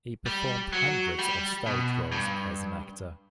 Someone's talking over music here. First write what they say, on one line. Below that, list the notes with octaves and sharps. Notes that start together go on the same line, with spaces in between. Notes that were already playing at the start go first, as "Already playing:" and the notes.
He performed hundreds of stage roles as an actor.
G3
F#3
G3
B2
G2